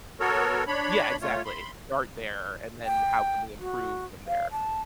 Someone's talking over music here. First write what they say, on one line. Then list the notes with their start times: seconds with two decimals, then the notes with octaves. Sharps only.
Yeah, exactly. Start there, and then how can we improve from there.
0.20 B3 F#4 A4 A#4 C#5
0.67 D4 C#5 B5
1.21 A3 F4 C#5
1.45 B5 C6
2.85 G5
3.59 F#4
4.27 F5
4.52 A5